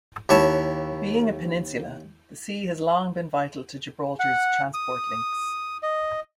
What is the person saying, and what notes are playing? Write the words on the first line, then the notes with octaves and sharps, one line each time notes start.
Being a peninsula, the sea has long been vital to Gibraltar's transport links.
D#2 E4 C#5 A5
F#5
D#6
D#5